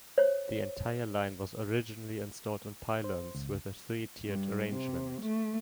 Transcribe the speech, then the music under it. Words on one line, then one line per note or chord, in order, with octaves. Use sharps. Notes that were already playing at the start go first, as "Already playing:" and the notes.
The entire line was originally installed on pylons with a three-tiered arrangement.
C5 C#5
C5
C#2
G2
C3
A3